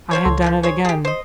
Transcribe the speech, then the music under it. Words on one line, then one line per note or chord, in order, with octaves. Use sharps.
I had done it again.
F3 C5 C#5
C#2 A4 C6
D3 E3 F3
G#4 C5 C#5
G4 G#4
C5 D#5